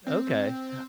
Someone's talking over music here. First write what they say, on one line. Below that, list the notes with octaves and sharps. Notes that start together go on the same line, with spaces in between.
Okay, ho
C4